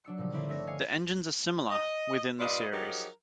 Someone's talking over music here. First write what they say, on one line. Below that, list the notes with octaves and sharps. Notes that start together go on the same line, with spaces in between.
The engines are similar, within the series.
F#3 D4 E6 C#7
A#2 C#3 F3 G3
D3 C4 E4 C#5
G1 A3 D4 C#5 E6 A#6
D#5 F5 G#5 G#6 C#7
D#5
G2 A#2 F4 B4 D5 D#5
F3 F#3 D#4 G4 G#4 A#4